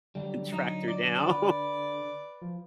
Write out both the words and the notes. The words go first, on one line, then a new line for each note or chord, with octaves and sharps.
tracked her down
D3 F#3 G3
F#3 D#4
D5
B4
F3